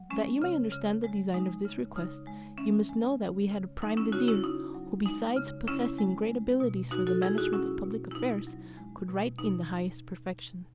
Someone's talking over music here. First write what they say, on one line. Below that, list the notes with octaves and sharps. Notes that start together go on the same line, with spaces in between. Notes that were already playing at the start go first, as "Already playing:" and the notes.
That you may understand the design of this request, you must know that we had a prime vizier, who besides possessing great abilities for the management of public affairs could write in the highest perfection.
Already playing: F#3
G#3 C#4
C#3
C#3
G#3
G#3 D#4
C#3
C#3 D#4
G#3
E3 C#4
G#3
C#3
C#3
F#3 D#4
C#4 E4
C#3 D#4 F#4
C#4 E4
C#3 D#4
F#3
G#3 D#4
C#3
C#3 C#4 E4
G#3
G#3
B2
B2 D#4 F#4
F#4 A4
G#3 E4 G#4
D#4 F#4
F#3 C#4 E4
B2
E4
B2 D#4
F#3
G#3
B2
B2 D#4